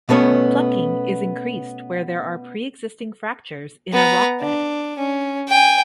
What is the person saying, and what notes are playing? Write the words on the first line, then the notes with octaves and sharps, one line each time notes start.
Plucking is increased where there are preexisting fractures in a rock bed.
B2 A3 B3 C#4 C#5
B3 A#5
D4
C#4
G5 G#5